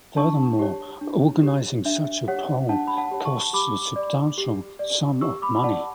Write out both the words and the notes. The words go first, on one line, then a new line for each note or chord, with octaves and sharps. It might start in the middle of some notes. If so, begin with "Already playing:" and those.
Furthermore, organizing such a poll costs a substantial sum of money.
D4 A5 C#6
G4 C#5
D4
G4 C#5
D4 E5
G4 C#5 F#5
D4 F#5 A5
B5
F#5 A5
G4 C#5
A5 C#6
G4 B5 D6
D5
G4
D5
G4 C#6 E6
B5 D6
B5
D5 F#5 A5